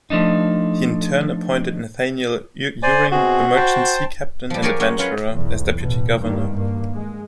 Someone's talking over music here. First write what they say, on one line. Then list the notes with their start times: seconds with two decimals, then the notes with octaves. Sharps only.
He in turn appointed Nathaniel Uring, a merchant sea captain and adventurer, as deputy-governor.
0.10 F3 A3 D4 D#4
2.83 C5 D5 G#5
3.12 B2 C4 F#4 G#4
3.56 C5 G5 A5
4.50 F3 G3
4.62 G4 G#4 A#4 C#5 D5 G#5
4.80 F#3 G#3 C#4
4.99 C#4 F4 B4 C#5 C6
5.33 B1 E2
5.80 A1 B2
6.21 G2 D#3 G3 A#3
6.53 G2 A#3
6.94 G#3